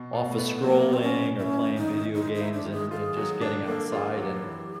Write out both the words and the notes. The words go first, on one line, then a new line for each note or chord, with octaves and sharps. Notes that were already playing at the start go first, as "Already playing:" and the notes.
office scrolling or playing video games and and just getting outside, and,
Already playing: B2
B2
A#3
A3
B3
F#3 A#3
B2 C4
C#4
B2
C#4 D4 E4
D#3
D#4
C#4
G#3 D#4
D#4
E4
D4
D#3
G#4
F4 A4
G#4
F#3
D4
A#3 A4
F4 G#4
F#3 G4
E3